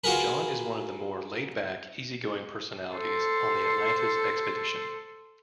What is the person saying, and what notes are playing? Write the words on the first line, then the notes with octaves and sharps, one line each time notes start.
John is one of the more laid-back, easy-going personalities on the Atlantis Expedition.
F4 F#4 G#4 A#4 B4
A4 C5